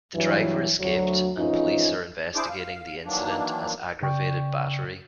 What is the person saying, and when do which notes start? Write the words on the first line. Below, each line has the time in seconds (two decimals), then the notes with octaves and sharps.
The driver escaped, and police are investigating the incident as aggravated battery.
0.14 G2 E3 F#3
0.79 D2 F#3
1.37 F2 G#2 E3 C#4 D#4 F4
2.35 D4 E4 G#4 C5 D6
2.49 F5
3.05 D#3 E3 F#3 A#3 D4
4.02 C#3 D5 G5 C#6